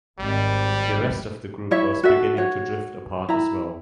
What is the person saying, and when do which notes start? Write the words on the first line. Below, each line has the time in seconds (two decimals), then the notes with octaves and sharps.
The rest of the group was beginning to drift apart as well.
0.19 G#1 G3
1.71 E4 C#5 E5
2.03 F#4 A4 E5
2.37 F#4 C#5 F#5
3.29 E4 A#5